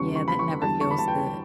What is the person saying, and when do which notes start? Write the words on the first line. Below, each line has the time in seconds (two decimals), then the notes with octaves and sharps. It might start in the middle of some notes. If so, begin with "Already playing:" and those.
Yeah, that never feels good.
Already playing: E2 C#3 G3 C#4 C#6
0.16 C#6
0.28 B5
0.39 C#6
0.62 E2 D3 G3 A5
0.81 C#6
0.91 B5
0.99 A5
1.08 G5